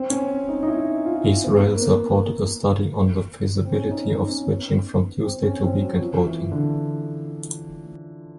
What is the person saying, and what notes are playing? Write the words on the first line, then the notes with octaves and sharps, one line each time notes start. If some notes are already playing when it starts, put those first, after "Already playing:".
Israel supported a study on the feasibility of switching from Tuesday to weekend voting.
Already playing: C4
C#4
D#4
D#4
E4
F4
B3
A#3
B3
C4
C#4
D#4
D#4
C#4
B3
C4
C#4
C4
F#3
F3
E3
D3